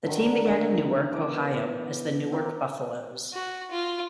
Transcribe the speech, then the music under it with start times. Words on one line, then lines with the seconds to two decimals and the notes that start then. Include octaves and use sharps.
The team began in Newark, Ohio as the Newark Buffalos.
0.06 D3 D#3 F#3
1.11 B2 E3 D6
2.32 C4 F4 A#4 D5
3.34 F#4
3.71 F4